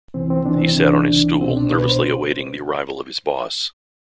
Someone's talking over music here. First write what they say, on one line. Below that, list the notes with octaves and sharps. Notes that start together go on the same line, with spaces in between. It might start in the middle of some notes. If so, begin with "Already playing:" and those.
He sat on his stool nervously awaiting the arrival of his boss.
C2 C3 E3 C4
C4
C2 C3 E3 D4
C4
C2 C3 E3 D4
C2 C3 E3
C2 B2 C4
D4
C2 B2 B4
C5